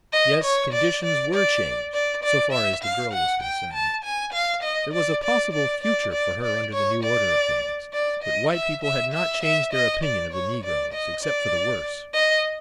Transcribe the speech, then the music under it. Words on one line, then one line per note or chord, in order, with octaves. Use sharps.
Yes, conditions were changed, so far as the girl was concerned; there was a possible future for her under the new order of things; but white people had not changed their opinion of the negroes, except for the worse.
D#5
C#5
D5
D5
D5
D5
D5
E5
F5
F#5
G5
A5
G#5
F5
D#5
D5
D5
D5
D5
D5
D5
C#5
D5
D5
D#5
E5
E5
E5
E5
D#5
D5
C#5
D5
D#5
D5
D#5